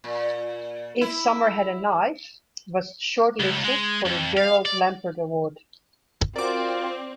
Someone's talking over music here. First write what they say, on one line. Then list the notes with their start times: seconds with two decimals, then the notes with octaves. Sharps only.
"If Summer Had a Knife" was shortlisted for the Gerald Lampert Award.
0.04 A#2
1.01 E4
3.40 C#2
3.64 G#3
4.05 F2
4.37 F5
4.66 D5
6.36 C4 F4 F#4 A#4 D5 D6